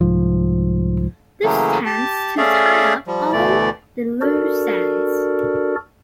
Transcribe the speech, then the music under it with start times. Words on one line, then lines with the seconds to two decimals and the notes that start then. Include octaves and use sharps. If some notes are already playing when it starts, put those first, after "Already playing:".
This tends to tie up all the loose ends.
0.01 C2 G#2 F3
1.43 C#3 E3 F#3 A3 A#3
1.86 G4 A5
2.37 A3 C#4 G#4 D5 E5 F5
3.07 F3 G3
3.33 D2 B2 E3 A3 D5
4.21 D4 F#4 A4 A#4 D5